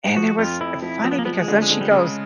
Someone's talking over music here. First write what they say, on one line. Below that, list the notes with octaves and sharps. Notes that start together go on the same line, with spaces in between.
And it was funny because then she goes,
F3 F#4
F2 F4
F2 E4
F3 E4
F3 C4
B3
A#3
F3 B3
G#3
D3
G#3
D3
G3
C#3 G#3